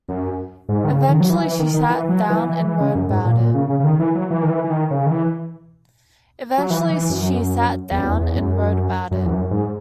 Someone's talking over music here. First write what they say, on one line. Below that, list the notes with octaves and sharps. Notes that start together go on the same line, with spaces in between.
Eventually, she sat down and wrote about it.
F#2
G#2
D#3
C#3
D#3
F#3
E3
E3
D#3
D#3
E3
F#3
E3
E3
E3
C#3
F#2
G#2
A#2
A#2
C#3
C#3
C#3
D#3
E3
F#3
E3
D#3
E3
E3
D#3
C#3
D#3
E3
F#3
E3
E3
F#2
E2
F#2
E2
E2
F#2
F#2
E2
F#2
G#2